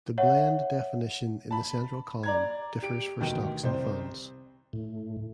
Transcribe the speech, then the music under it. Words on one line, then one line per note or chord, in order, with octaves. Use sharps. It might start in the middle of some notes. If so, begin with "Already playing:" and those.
The "blend" definition in the central column differs for stocks and funds.
C#5 E5 F#5
A5 B5
D5 A#5 G#6
G4 D7
D2 B2 D#3
C2 C5
A2